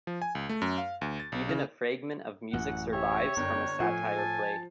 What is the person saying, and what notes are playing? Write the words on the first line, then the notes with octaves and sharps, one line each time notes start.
Even a fragment of music survives from a satyr play.
F3
G#5
C#2
A3
F#2
F5
D2
A6
B1
C#3
A1 F#2 F#5
G4 C#5 E5
G1 F#2 G5
A2 F3 G#5
A5